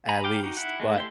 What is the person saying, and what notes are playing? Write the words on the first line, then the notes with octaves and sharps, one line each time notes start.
At least, but,
G#5 A#5 B5
F5 G5 D6
D#4 F#4
E4 F#5
G#3 A3
E4 G4 C6